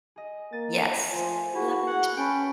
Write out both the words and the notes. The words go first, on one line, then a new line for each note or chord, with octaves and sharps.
yes, love it.
G#4 D#5
A#3 A6 D#7
F3 A3 C5 G#5
E4 F#4 G#4
F#5
C#4 B4 G5 A5 B5